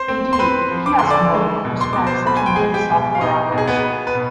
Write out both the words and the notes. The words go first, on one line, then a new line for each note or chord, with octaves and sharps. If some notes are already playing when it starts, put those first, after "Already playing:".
Indeed, "kiosk mode" describes such a mode of software operation.
Already playing: C5 C6
C4
C6
C4 B4 B5
F3
D6
D3 C6
D5 D6
G#3
B2
C6
B2 D6
C5 C6
B2 B5
G#5
G5
G#3 G#4 G#5
G4 G5
B2
F5
B2 D#4 D#5
B2
G#4
B3 B4
B3
B4
B2